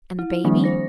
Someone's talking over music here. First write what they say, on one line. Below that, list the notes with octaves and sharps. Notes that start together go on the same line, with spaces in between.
And the baby?'
E4
D#3 F3 G3 A#3 C4 D4
C5 A#6